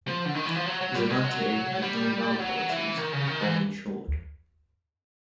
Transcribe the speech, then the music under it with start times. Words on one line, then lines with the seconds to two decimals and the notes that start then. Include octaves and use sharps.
Xavante has nine vowel qualities, long and short.
0.08 F3
0.25 D3
0.35 D#3
0.46 E3
0.55 F3
0.66 F#3
0.81 F#3
0.95 G3
1.10 G#3
1.24 F#3
1.82 G3
2.40 F#3
2.69 E3
2.98 D#3
3.13 C#3
3.26 D#3
3.41 E3